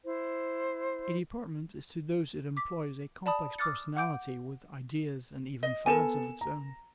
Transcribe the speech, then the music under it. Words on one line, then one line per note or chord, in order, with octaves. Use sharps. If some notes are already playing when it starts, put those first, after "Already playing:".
A department is to those it employs a complex personality with ideas and even fads of its own.
E4 C5
D6 B6
D5 A5 B5 D#6
D6 D#6 F6 F#6 A6 C#7
F#5 D6 G6 D7
D#5
B3 A4 A#4 G#5 E7
A#5